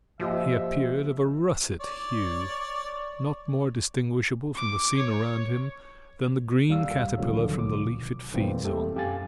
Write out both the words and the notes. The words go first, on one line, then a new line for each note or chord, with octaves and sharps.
He appeared of a russet hue, not more distinguishable from the scene around him than the green caterpillar from the leaf it feeds on.
A#2 F3 G4 D#5 E5
C#5 D5
D6
C#5
D#2 G3 F5 E6
C#2 A#2 D3 D#3 F3 F#3
B1 D6
B2 E3 G3 A3 A#3 C4
A3 G4 A4
F#2 G4 F5 G#5 A6